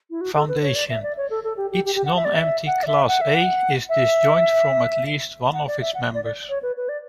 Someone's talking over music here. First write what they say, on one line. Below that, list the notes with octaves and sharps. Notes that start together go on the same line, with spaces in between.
Foundation: Each nonempty class "A" is disjoint from at least one of its members.
E4
F#4
A4
B4
C#5
D5
E5
D5
C#5
A4
A4
G4
G4
G4
G4
F#5
E5
D5
E5
F#5
D5
E5
F#5
E5
F#5
E5
F#5
D5
E5
F#5
D5
D5
C#5
B4
B4
D5